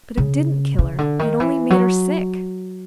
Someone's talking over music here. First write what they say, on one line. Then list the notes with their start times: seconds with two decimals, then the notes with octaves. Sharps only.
But it didn't kill her; it only made her sick.
0.17 C#3
0.79 C#3
0.98 D3
1.19 D#3
1.40 E3
1.70 F#3